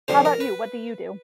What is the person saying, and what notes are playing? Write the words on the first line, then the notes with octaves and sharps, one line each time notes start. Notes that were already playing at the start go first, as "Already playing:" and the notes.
How 'bout you, what do you do?
F2 D3 G3 C5
A#4
B4